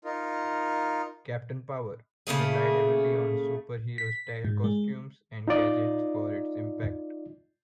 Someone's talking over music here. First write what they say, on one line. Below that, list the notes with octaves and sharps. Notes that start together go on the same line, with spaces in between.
"Captain Power" relied heavily on super-hero style costumes and gadgets for its impact.
D#4 F4 A#4
C#3 A3 A#3 G#4
B6
G#2
G#3
D#4 F4 D5 D#5